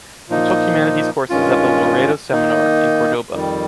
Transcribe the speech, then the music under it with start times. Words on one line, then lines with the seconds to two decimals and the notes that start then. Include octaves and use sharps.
He took Humanities courses at the Loreto Seminar, in Córdoba.
0.29 A#2 F3 A#3 D#4
1.29 G2 D#3 G#3 C#4 F4
2.31 D#3 A#3 D#4
3.33 F2 D#3 G3